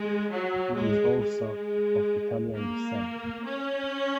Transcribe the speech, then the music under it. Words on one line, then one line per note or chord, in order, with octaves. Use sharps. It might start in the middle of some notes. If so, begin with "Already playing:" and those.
He is also of Italian descent.
Already playing: G#3
F#3
G#3
G#3
A#3
C#4